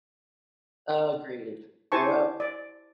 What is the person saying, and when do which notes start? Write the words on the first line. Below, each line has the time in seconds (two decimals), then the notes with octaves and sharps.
Agreed, yep.
1.92 E4 G4 C5 G#5 A5 C#6
2.40 D5